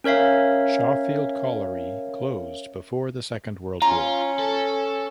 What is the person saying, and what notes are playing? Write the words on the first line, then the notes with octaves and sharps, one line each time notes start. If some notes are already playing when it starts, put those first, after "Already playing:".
Shawfield Colliery closed before the Second World War.
C#4 A#4 C#5 E5 F5
C#4 F4 A#5
A4